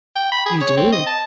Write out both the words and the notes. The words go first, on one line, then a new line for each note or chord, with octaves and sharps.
You do.
G5
B5
G#4
C#5
C4
D#5
A5